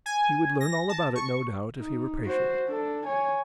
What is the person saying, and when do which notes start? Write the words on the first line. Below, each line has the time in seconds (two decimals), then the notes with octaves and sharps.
He would learn all about it, no doubt, if he were patient.
0.06 G#5
0.60 A#6
0.89 A5
1.15 C#6
1.77 D#4
2.24 F#4 C5
2.67 D4 A4
3.06 C#5 G#5